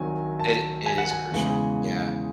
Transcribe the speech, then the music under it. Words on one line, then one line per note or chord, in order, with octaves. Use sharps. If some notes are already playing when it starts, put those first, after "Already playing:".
It i it is crucial. Yeah.
Already playing: C2 C3 D#3 F#3 G#5
A5
G#5
F#5
G#5
E2 C#3 E3 G#3